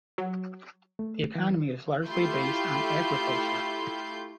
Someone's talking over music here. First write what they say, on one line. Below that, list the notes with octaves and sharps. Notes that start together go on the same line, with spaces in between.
The economy is largely based on agriculture.
F#3
A3
E3
A3 E4 F4 G4 C6 G6